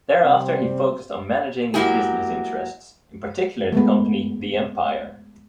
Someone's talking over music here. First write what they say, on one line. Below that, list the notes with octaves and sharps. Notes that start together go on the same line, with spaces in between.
Thereafter he focused on managing his business interests, in particular the company "The Empire".
C3 G3 C4
F#3 G#3 A#3 E4 G4 G#4
G#3 A3 B3